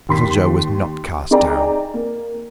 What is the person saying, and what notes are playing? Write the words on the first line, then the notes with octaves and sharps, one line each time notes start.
Little Joe was not cast down.
D#2 C6 B6
D#4 G#4 D5 G5 A#5
A#3